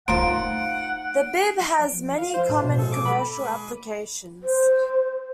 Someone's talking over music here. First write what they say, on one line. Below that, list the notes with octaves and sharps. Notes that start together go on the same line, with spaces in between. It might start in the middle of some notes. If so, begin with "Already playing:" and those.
The BiB has many common commercial applications.
A3 D#4 F4 A#4 C5 F#5 D7
F5
C5
A2
B2
A4
D6
B5
C5